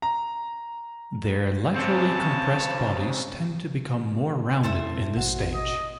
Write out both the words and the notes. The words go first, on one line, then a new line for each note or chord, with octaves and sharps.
Their laterally compressed bodies tend to become more rounded in this stage.
A#5
C#3 C4 C#5 A5
F2 E4 A4 C5 E5
A1 B2 F#4 F#5
D#5